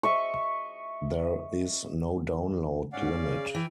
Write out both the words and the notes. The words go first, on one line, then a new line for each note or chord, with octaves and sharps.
There is no download limit.
D#5 E5 C#6
G#2 C#4 D5 F5 F#5
C#3
E3 G5 G#5